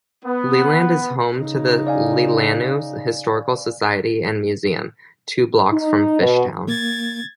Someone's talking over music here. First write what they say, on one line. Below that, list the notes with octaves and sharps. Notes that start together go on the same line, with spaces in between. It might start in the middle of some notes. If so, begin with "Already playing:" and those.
Leland is home to the Leelanau Historical Society and Museum, two blocks from Fishtown.
B3
C#3 D#4
D5 F5 G#5
D#4
B2
A#3 G#6 A6